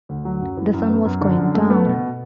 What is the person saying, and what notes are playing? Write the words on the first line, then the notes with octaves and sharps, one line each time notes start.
The sun was going down.
D2
F#3
F#2
E3
F#2
B3
F#2
D3
F#2
A3
B3
B2